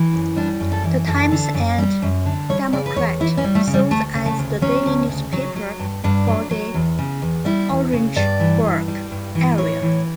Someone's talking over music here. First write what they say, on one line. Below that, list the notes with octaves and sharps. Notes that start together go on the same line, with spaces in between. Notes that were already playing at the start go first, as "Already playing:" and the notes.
"The Times and Democrat" serves as the daily newspaper for the Orangeburg area.
Already playing: E3
F#2
G3 D4
F#2
A4
E3
F#2 A4
D3
F#2
G3
F#2
D3
G3 C#5
C#3 D5
B4
E2 C#5
E3 E4
C#4
G3
A3
C#3
G3
D2 A3
C#3
A3
D2
F#3 C#4
D2
C#3
F#3
F#3
G2
G2 D4
F#3
F#3
E2
C#3
E2
G3 E4
E2
C#3
G2 D5
E3
G2
G3
G2
E3
A2 C#5
E3